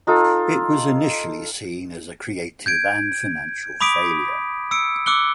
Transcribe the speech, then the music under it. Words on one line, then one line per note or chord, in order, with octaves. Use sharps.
It was initially seen as a creative and financial failure.
D#4 F4 A4
G6 G#6 D7
B5 D6 D#6 B6 D7
E6 C#7 D7
D6 E6 F#6 C#7 G7